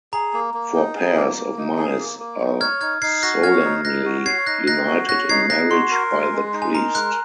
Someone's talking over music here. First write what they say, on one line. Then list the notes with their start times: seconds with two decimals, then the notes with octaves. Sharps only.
Four pairs of mice are solemnly united in marriage by the priest.
0.13 G#4 A#5
0.34 A#3
0.54 A#3
0.75 D#4
0.95 G#4
1.16 A#3
1.37 A#3
1.57 D#4
1.78 G#4
1.99 A#3
2.19 A#3
2.40 D#4
2.61 C#5 F6 G#6
2.81 D#4 F6 G#6
3.02 D#4 G#6 C7
3.23 F#4 F#6 A#6
3.43 C#5 F6 G#6
3.64 D#4
3.85 D#4 F#6 A#6
4.05 F#4
4.26 C#5 G#6 C7
4.47 D#4 F#6 A#6
4.67 D#4 F#6 A#6
4.87 F#4
5.09 C#5 F#6 A#6
5.29 D#4 G#6 C7
5.50 D#4 F#6 A#6
5.71 F#4 C6
5.91 A#4
6.12 G#3
6.33 G#3
6.53 D#4
6.62 G#5
6.74 A#4 A#5
6.95 G#3 F#6